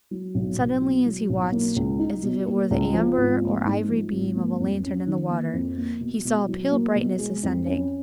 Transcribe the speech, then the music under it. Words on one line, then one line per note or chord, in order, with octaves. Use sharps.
Suddenly, as he watched, as if it were the amber or ivory beam of a lantern in the water, he saw a pale brightness ascending.
F#3
B1
B1
B2
F#3
B1
A#3
C#2
D#4
B2
A#3
C#2
F3
G#1
A#3
G#2
F3
G#1
A#3
F2
C#4
D#3
A#3
F2
A#3
B2
B2
F#3
A#3
B2
G#3
F2
C#4